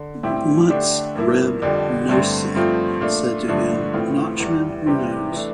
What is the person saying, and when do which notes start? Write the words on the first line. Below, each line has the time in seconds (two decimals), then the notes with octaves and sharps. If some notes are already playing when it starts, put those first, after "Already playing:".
Once Reb Noson said to him, Nachman, who knows?
Already playing: D3
0.23 A2 G3 C4 E4 G4
0.70 D3 A3 D4 G4
1.16 G2 F3 A#3 E4
1.62 F2 D3 G3
2.09 G2 D3 A3 C4
2.55 G2 F3 A3 C4 F4
3.01 A#2 A3 D4 F4
3.48 G2 D3 F3 A3 D4
3.93 A2 E3 A3 C4 F4
4.40 E2 E3 G3
4.86 C3 E3 G3 C4 G4
5.32 E3 A3 D4